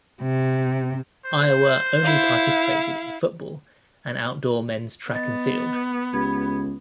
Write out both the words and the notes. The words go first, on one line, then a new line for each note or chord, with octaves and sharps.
Iowa only participated in football and outdoor men's track and field.
C3
C5
E4 F5
B3 D#5 A6
C#2 G4 B5 G#6